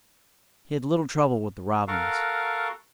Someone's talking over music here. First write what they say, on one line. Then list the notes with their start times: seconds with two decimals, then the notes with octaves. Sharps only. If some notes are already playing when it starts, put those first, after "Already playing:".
He had little trouble with the robins.
1.88 F#4 A4 A#4 F5